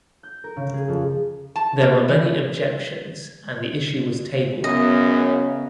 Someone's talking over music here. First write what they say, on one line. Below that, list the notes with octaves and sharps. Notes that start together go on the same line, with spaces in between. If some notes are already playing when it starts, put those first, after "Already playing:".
There were many objections and the issue was tabled.
G6
A#4
C#3
G#4
F2
A5
A#3
E3
F#2 C#3 B3 D#5